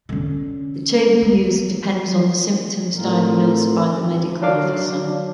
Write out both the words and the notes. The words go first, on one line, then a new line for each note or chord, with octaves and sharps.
The table used depends on the symptoms diagnosed by the medical officer.
D3 C#4
B3
A2 C4 F4 A#4
E2 F3 C4
F#3 D4 F5 D6